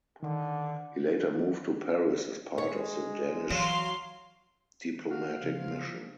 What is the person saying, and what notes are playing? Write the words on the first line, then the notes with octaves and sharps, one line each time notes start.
He later moved to Paris as part of the Danish diplomatic mission.
D3 D#3
G#3 C#5
E3 F#3 F5 C6
F#4 F5
C#3 F3